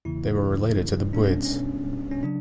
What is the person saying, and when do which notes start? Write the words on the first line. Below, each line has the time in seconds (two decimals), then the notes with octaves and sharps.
They were related to the Buyids.
0.05 E2 C#3 E3 A#3 E4
1.13 B2 G3 B3 D4
1.24 C#4
1.45 C#4
2.11 C#4
2.23 C#3 F#3 D4